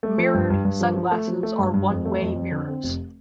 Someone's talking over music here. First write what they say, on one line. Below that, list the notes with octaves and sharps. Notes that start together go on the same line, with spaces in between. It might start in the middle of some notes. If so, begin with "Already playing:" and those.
Mirrored sunglasses are one-way mirrors.
A3
F3
G2
G2
G2
F3
F3
A3
F3
A3
G2
G2
F2
A3
F2
F2
D3
C4
F1